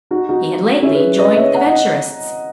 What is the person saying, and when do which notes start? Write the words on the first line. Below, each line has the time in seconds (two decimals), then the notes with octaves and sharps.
He had lately joined the Venturists.
0.11 D#4 F#4
0.29 D#4 F#4
0.82 C#4 E4
0.95 G#4 B4
1.18 B4 D#5
1.37 C#5 E5
1.54 F#5 A#5
1.66 D#5 F#5